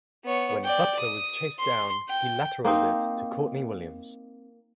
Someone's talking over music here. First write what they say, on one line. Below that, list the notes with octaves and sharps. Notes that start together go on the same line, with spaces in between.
When Butler was chased down, he lateraled it to Courtney Williams.
B3 C#5
D5 G5
D#6
C6
G5
A#3 C4 D#4